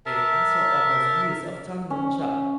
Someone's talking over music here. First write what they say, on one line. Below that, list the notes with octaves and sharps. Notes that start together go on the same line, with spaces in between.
It also offers views of Tung Lung Chau.
A#4 E5 A5
C#4